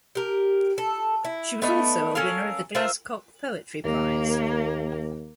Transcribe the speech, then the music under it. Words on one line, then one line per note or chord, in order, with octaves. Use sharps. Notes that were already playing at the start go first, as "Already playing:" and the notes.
She was also a winner of the Glascock Poetry Prize.
G4 A#4
A4
E4
A3 B3 D4 D#4
C#4 A4 A#4 F5
F4 A#4 C5 E5
D#2 A#3